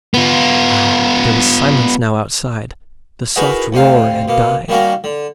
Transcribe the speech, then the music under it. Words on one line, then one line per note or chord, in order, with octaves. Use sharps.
Ah! there was silence now outside; the soft roar had died.
B3 F4
D#4 E4 F#4 G#4 A#4 B4
D2 C3 C4 F5
B2 A#3
D#3 G3 A#3 C#4 F#4 A#4
D3